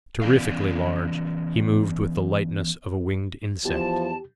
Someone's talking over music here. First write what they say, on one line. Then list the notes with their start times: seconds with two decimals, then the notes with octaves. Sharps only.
Terrifically large, he moved with the lightness of a winged insect.
0.22 E3 B3 C#4 D5 F5
3.65 E2 F3 G4 A5